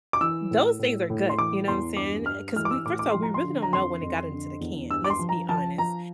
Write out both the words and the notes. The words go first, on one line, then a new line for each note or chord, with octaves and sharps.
those things are good, you know what I'm saying? 'Cause we first of all, we really don't know when it got into the can, let's be honest,
D6
E3 E6
A2
A2
A2
C6
E3 D6
E2 C6
G2 D6
G2 F6
E3 F6
D6
E6
A2 D6
D6
F3 C6
A#5
C6
D3
A#5
F2 C6
F2
D3
E2
G2 E6
D6
C6
F3
A#5
F3 A5
F3 A#5